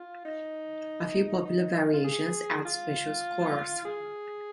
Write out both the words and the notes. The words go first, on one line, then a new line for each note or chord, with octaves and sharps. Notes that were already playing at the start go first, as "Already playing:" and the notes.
A few popular variations add special scores.
Already playing: F4
D#4
D#4
F4
G#4
F4
G#4